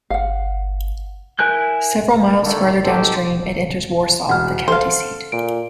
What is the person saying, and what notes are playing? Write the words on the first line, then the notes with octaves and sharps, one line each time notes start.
Several miles further downstream it enters Warsaw, the county seat.
G1 F5 F#5
E4 A#4 G#5 F#6 G6
D3 D#3 G3 A3 A#3
G#1 A#3 D#4 G4 A4 C5
E1 F#5 F6
A4 C5 F5
A#2 D7